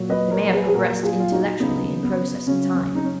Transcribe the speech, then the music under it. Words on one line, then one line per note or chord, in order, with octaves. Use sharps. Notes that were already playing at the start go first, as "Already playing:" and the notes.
They may have progressed intellectually in process of time.
Already playing: A#2 F#3
B4 D#5
A#4 C#5
A#4
G#4 B4
G#4
A#2 F#3 F#4 A#4
F4 G#4
F4
D#4 F#4
C#3 F#3 B3 D#4
B3
C#3 F#3 C#4
C#4
D#4
C#4